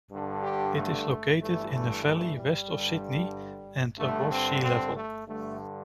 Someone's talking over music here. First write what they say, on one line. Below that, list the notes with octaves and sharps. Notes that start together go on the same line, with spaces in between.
It is located in a valley west of Sydney and above sea-level.
G2 D3
G4
A3
G2 E3 A3
A3
A3
G3
G2 D3
G2 D3 A3
C4
C4
A3
G2 D3 A3